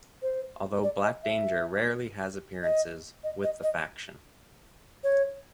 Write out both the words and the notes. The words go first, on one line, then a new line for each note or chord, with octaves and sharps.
Although Black Danger rarely has appearances with the faction.
C5
D5
D#5
E5
D#5
D#5
D#5
D#5
C#5